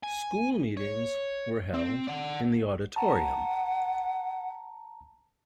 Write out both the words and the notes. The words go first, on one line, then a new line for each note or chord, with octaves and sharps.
School meetings were held in the auditorium.
G#5
C#5
C4
D5 F#5
F#5 A5 A#5